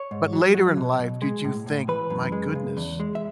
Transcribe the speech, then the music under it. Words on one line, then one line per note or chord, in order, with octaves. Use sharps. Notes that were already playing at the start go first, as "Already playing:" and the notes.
but later in life, did you think, "My goodness,
Already playing: C#5
G#2
F#3
F#3
B2
B2
G#3
A2
A2
E3 B4
F#2
G#3
C#3
E2
G#3
E5